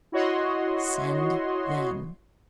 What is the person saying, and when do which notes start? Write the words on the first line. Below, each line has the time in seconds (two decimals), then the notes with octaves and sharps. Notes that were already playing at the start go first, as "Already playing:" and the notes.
"Send then."
0.12 E4 F#4 C#5 D#5 C6